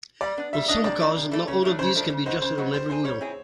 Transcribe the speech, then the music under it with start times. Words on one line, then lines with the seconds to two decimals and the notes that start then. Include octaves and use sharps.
On some cars, not all of these can be adjusted on every wheel.
0.21 G3 D5
0.37 B3 D4
0.53 G3 E5
0.68 B3 D4 D#5
0.84 C3 D5
1.00 E3 A3
1.17 C3
1.31 E3 A3
1.47 C#3 C#5
1.63 F3 A3 D4
1.79 C#3 C5
1.95 F3 A3 D4
2.10 C#3
2.26 F#3 B3 D#4 C5
2.42 C#3 C5
2.58 F#3 B3 D#4
2.73 G3 C5
2.89 C4 E4 G#4 C5
3.04 G3 C#5
3.21 C4 E4 G#4